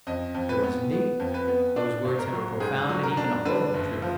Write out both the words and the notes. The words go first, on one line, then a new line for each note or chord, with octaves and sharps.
There was indeed. Those words have a profound and even a horrible truth.
F2 D#5
F2
B4
B3
B3
F2
B4
B3
D4 D5
G#1
A#4
F#3
G#2 G#4
F#3
A#4
D4
D3 B4
F#1
F3